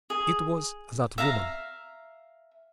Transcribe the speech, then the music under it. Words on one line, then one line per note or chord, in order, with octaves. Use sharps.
It was that woman.
G#4
E5 F5 A#5